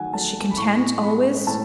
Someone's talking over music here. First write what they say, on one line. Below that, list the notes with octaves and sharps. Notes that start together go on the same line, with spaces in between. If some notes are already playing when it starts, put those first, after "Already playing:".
Was she content, always?
Already playing: D#3 F#3 A3 F#5 G#5
F#3 A3 A5
B5
A2 C#6
G#3 B5
A2 A5